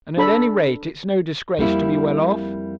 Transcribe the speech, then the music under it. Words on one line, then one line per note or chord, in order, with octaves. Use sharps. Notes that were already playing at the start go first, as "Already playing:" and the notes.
'And at any rate, it is no disgrace to be well off.'
D4 A4 B5
F2 G3 A#3 E4